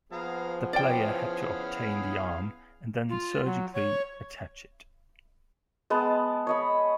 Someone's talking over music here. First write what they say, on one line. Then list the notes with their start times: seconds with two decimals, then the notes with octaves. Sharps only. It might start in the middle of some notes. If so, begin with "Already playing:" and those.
The player had to obtain the arm and then surgically attach it.
0.12 F3 B3 G#4 F5 A#5
0.73 C#4 E4 D5 F5 G5
3.09 F4
3.45 F#3
3.74 C#5
5.90 G#3 B3 A5
6.47 C#5 D#5 B5